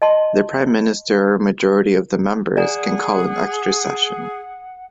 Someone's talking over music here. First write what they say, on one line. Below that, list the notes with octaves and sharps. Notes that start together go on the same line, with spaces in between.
The Prime Minister or a majority of the members can call an extra session.
D#5 A5 C6
G#4 D5 F#5 G#5 A#5